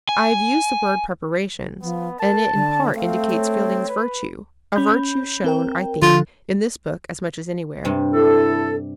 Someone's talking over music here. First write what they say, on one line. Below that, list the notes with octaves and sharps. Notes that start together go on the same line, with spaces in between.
I have used the word "preparations," and it in part indicates Fielding's virtue, a virtue shown, I think, in this book as much as anywhere.
G#5
F3 B3
A#4 A5
D3
A3 C4 F5
C#5
B4
C#4 B5 G6
C4 A#4 G5
D3 F3 F4 A4
G2 C3
E4 A4